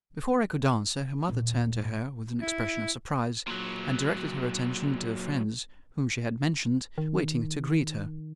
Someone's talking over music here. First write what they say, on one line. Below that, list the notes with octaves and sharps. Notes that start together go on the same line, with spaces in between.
Before I could answer, her mother turned to her with an expression of surprise, and directed her attention to the friends whom she had mentioned, waiting to greet her.
D#2 A#2
E4
A#2 F#3
D#3